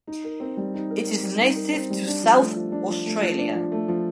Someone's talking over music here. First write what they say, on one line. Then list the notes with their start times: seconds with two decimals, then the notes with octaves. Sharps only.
It is native to South Australia.
0.07 D#4
0.24 A#4
0.40 C4
0.57 G3
0.74 D#4
0.91 A#4
1.07 C4
1.23 G3
1.40 D#4
1.56 A#4
1.73 C4
1.90 G3
2.07 D4
2.23 F3
2.39 A3
2.56 F3
2.72 D4
2.89 F3
3.06 A3
3.22 F3
3.38 D4
3.55 F3
3.72 A3
3.88 F3